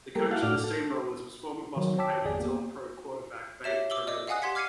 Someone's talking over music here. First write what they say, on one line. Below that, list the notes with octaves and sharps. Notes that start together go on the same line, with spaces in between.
The coach of the Steamrollers was former Boston Patriots All-Pro quarterback Babe Parilli.
G3 A#3 G4 A4 A#4
E4 F#4 F5 F#5 A5
A2 F#4 D5 F6
A4
D#3 F#3
C#5 G5 A5 D6 E6 B6
G1 E2 G#4 D5 G#5
A#3 B3 G4
G4 C#5 E5 E7
D6 E6 F#7 G7
D5 D#5 D6 E6
D#5 F5 F#5 G#5 D#6 F#6
G4 F#5 C6 G#6 B6 C#7
D6 F6 G#6 C7 C#7 D#7